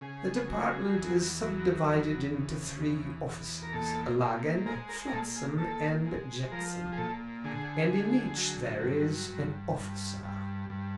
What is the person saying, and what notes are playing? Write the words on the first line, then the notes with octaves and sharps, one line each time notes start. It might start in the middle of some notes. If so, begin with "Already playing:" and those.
"The department is subdivided into three offices--Lagan, Flotsam, and Jetsam--and in each there is an officer."
C#3 G#4
F#3
E2
F#3
E2
C#3
E2
E2
A#4
A#2 A4
A#2
G#3 A#4
A#4
A#4
A#2 A4
G#4
A#2 A4
G#3
F3 A#4
G#4
A#2 A4
D3 G#4
D3
F#3
G2
G2
G2
G2
G2